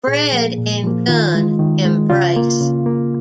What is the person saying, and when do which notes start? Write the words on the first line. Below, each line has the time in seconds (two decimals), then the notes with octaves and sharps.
Fred and Gunn embrace.
0.07 A#2 G#4
0.32 F3 A#3
0.58 A#2
0.84 F3 A#3
1.08 D#3 F4
1.35 G#3
1.59 D#3
1.85 G#3
2.10 C#3 F4
2.36 A#3
2.61 C#3
2.86 A#3